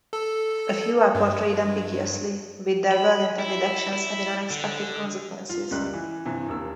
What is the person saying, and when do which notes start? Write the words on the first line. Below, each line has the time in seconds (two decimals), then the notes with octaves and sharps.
A few are portrayed ambiguously, with their well-intended actions having unexpected consequences.
0.13 A4
1.15 G2
2.91 B5
3.39 E4
3.93 E4
4.50 D3
5.49 F4
5.71 C#2 F#2 G3 F#6
5.94 E3
6.25 G2 C3 E3
6.48 D#1 A#3 E6